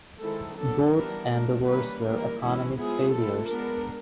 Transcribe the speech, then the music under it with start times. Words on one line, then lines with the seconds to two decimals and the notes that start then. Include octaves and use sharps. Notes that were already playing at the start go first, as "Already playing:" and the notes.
Both endeavours were economic failures.
0.21 D#3 G#3 C4 E4 A4
0.57 F#3 B3 D4 A4
0.94 E3 G3 B3 D4 A#4
1.30 F3 A3 D4 A#4
1.67 D#3 G3 A#3 C#4 B4
2.03 E3 G3 A#3 A#4
2.40 E3 G#3 C#4 E4
2.76 F3 G#3 B3 E4 G#4
3.12 F3 A3 C4 E4 A4
3.49 G#3 B3 D4 A#4